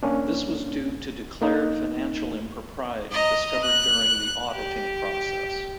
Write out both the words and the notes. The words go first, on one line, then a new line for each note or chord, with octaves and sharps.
This was due to declared financial impropriety discovered during the auditing process.
A#3 C#4 D4
A#3 D#4
D#5 A#5
F#6
G4